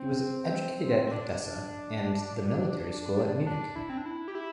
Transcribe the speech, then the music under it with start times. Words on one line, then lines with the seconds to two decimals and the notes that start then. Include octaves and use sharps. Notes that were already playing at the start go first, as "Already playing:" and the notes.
He was educated at Odessa and the military school at Munich.
Already playing: C4
1.07 C4
1.11 D4
3.46 D4
3.76 E4
3.89 C4
3.98 D4
4.06 E4
4.28 G4
4.35 E4